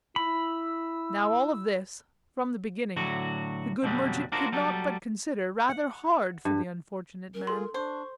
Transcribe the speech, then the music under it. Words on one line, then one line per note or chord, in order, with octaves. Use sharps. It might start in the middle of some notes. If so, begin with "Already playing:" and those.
Now all of this, from the beginning, the good merchant could not but consider rather hard for the unfortunate man.
E4 B5 E6
A2 D3 F#3 F#4
F2 B2 D3 F#3 G3
D4 F4 F#4 A4 A#4 C5
F#3 G3 A4
F#5
G2
C#4 A#4
F4 G#4 A4 C6
D4 C5 C#6